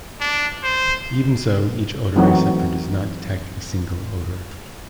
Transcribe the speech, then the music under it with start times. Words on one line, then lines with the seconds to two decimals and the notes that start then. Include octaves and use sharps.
Even so, each odor receptor does not detect a single odor.
0.20 D4
0.63 C5
2.16 E3 F#3 A3 C4 D#4 F#4